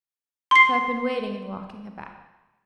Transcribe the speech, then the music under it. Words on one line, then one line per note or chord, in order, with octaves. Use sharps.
So I've been waiting and walking about.
C6 C7